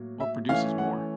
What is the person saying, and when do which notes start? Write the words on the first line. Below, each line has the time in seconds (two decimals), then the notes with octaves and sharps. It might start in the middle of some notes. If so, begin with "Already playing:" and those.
what produces more?
Already playing: A2 F#3 A#3
0.20 E5
0.49 E3 A3 C#4 F5
0.78 F#5